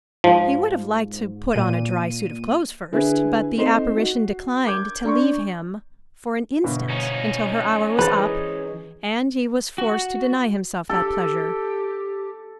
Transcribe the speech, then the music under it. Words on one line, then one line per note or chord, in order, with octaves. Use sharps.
He would have liked to put on a dry suit of clothes first, but the apparition declined to leave him for an instant until her hour was up, and he was forced to deny himself that pleasure.
G#2 F3
A#2 D#7
D3 E4 G#4 B4
A3 C4 D#4 C6 C7 E7
F#4
A#4 D6 G6 G#6
D4 A#5 C6 C#6
G1 B2 E3
C#4 D#4
E3 G#4 B4 C5 A#5 A6
F#4
G4 A4